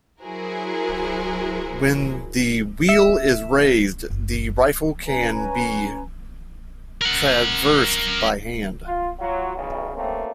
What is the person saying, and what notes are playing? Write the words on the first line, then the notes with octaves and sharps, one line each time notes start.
When the wheel is raised, the rifle can be traversed by hand.
F#3 E4 F#4 G#4 A#4 C5
E5
F#1
C#4 B4 G#5 A#5
A#4 F#5
F4
F#3 F4 F#4
B1 E2 C#3
D#2 C3 A3 A#3 C4 C#4